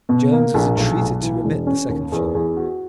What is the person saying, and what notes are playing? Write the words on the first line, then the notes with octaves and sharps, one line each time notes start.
James was entreated to remit the second flogging.
B2
A#3
A#1
B1
B1
E3
E1
C#4
D#2
E2
E2
F#4